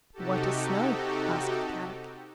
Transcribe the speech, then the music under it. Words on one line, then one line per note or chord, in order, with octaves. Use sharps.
"What is snow?" asked Kadok.
C3 D#4 F#4 G4 A4